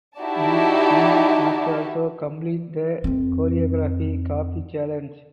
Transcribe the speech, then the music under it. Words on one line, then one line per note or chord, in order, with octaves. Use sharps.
Each crew must also complete the Choreography Copy Challenge.
D#4 E4 F#4 G4 D5 A5
F2 C4